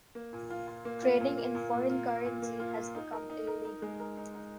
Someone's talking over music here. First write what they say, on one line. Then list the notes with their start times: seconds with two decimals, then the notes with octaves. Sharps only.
Trading in foreign currency has become illegal.
0.15 A#3
0.33 A#2
0.50 F4
0.68 F4
0.85 A#3
1.02 F4
1.20 A#2
1.38 A#3
1.55 A#2
1.73 A#2
1.90 F4
2.07 A#3
2.25 A#2
2.42 A#3
2.60 F4
2.77 F4
2.95 D#4
3.13 A#4
3.30 D#4
3.47 A#4
3.65 D#4
3.82 G#3
4.00 A#4
4.17 D#4
4.35 D#4